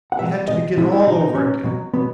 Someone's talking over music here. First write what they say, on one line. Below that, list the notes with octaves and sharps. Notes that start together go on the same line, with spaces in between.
He had to begin all over again.
F#5
B2 G#3 E5
B2 G#3 D#5
B2 G#3 E4
F#4
E4
B2 F#3 D#4
D#4
B2 F#3 C#4
B2 F#3
B2 F#3 B3